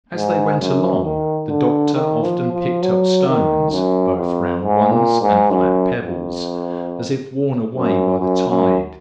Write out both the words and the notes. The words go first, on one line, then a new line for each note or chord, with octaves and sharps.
As they went along, the Doctor often picked up stones, both round ones and flat pebbles, as if worn away by the tide.
G#2
F#2
D#3
D3
D#3
F3
F3
F#3
D#3
F#2
F2
G#2
A#2
G#2
F#2
F2
F#2
F#2
F#2